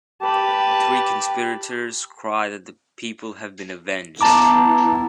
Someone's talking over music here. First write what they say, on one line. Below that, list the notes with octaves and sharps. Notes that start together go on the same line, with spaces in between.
The three conspirators cry that the people have been avenged.
G4 B4 A5
B3 E4 A5 A#5 D6